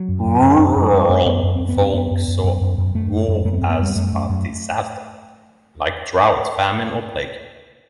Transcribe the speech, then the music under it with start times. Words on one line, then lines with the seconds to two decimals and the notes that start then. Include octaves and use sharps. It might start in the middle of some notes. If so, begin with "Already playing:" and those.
Rural folk saw war as a disaster, like drought, famine or plague.
Already playing: F#3
0.08 F#2
0.25 F#2
0.42 F#2
0.59 F#2
0.76 F#2
0.93 F#2 G3
1.09 F#2 A3
1.26 F#2 B3
1.43 F#2
1.56 F#2 C4
1.69 B3
1.77 F#2 C4
1.94 F#2 B3
2.11 F#2
2.28 F#2
2.44 F#2
2.61 F#2
2.78 F#2
2.95 F#2 A3
3.12 F#2
3.28 F#2
3.45 F#2 A3
3.53 B3
3.58 F#2 C4
3.70 B3
3.79 F#2 G3
3.89 B3
3.95 F#2 A3
4.12 F#2
4.29 F#2